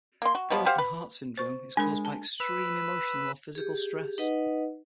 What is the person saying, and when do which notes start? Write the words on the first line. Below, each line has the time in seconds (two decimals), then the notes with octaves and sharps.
Broken heart syndrome is caused by extreme emotional or physical stress.
0.22 A#3 C6
0.35 F#4
0.50 B2 F3 F#3 B3
0.66 G4 C5 F5 F#5
0.78 B4
1.37 C5 C#6
1.77 G#3 D4 A#4 G#5 B5
2.05 A5
2.40 B4 E6
3.55 G4 G#4
4.18 D#4 B4 D#5 F#5